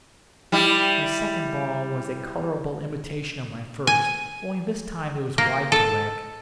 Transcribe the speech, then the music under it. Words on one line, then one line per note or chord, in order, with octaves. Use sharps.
My second ball was a colourable imitation of my first, only this time it was wide to leg.
G3 E4
G#5
A#3
A4